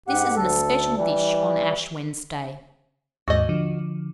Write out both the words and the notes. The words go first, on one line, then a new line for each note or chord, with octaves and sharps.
This is an especial dish on Ash Wednesday.
G#2 G4 F#5
D2 A4
E3 G3
D#2 G#2 F#4 D#5
D3 F3